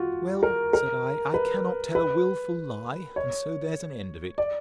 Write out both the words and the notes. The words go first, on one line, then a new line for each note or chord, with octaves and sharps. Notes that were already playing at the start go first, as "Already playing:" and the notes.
Well, said I, I cannot tell a wilful lie, and so there's an end of it.
Already playing: F4 F#4
A#4
A#4
B4
B4
C#5
D5